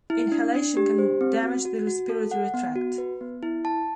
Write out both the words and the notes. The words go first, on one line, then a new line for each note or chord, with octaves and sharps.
Inhalation can damage the respiratory tract.
E4
D4
D4
G4
C5
C4
F#4
F#4
F#4
A4
F#5
B3
F#4
B4
B3
E4
A5